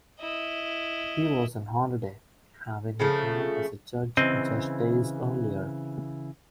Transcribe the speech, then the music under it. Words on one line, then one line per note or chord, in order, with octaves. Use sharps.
He was on holiday, having retired as a judge just days earlier.
E4 D#5
C#3 F3 A3
C#3 E3 C4 D#5